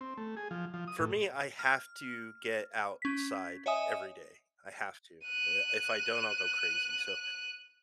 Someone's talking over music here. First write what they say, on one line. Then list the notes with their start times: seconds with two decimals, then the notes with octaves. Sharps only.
for me, I have to get outside every day, I have to, eh, if I don't, I'll go crazy so,
0.01 C4
0.17 A3
0.37 G#4
0.51 F3
0.74 F3
0.88 D#6
0.99 A2
1.59 F6
3.02 C#4 B6
3.66 C#5 D#5 E5 G#5 D#6
5.24 F#6 D#7